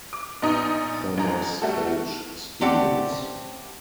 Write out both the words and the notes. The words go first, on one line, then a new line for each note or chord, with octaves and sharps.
Thomas H. Stevens.
D6
A#1 B3 D#4 A#5 D#6
A1 A#5
G3 A3 F#4 A4
A3 C4 C#4 G4 D5 F#5